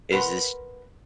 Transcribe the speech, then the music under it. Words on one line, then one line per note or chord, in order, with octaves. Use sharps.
is this
A#4 B4 F#5 A5 A#5 C6